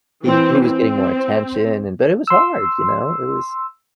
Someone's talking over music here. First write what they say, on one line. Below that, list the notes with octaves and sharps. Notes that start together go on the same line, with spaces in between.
“he he was getting more attention. And but it was hard, you know? It was
E3 C4
C4
C6 E6